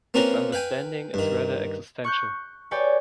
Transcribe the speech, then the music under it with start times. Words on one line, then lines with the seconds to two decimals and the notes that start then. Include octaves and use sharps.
Its understanding is rather existential.
0.14 A#3 C4 C#4 F4 A#4 B4
0.53 B4 F5 G5 G#5
1.14 G2 D#3
2.04 C#6 F#6 G6
2.71 G4 B4 C#5 D5 G5 G#5